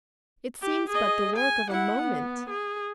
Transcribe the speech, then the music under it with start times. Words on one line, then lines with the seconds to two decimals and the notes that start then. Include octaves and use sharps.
It seems but the work of a moment.
0.62 G4
0.90 G#4 D#5
1.37 G#5
1.70 E4 F#5
2.02 B3
2.50 G#4